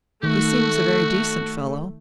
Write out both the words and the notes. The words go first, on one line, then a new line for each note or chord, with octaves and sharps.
"He seems a very decent fellow."
D#3 A3 F#4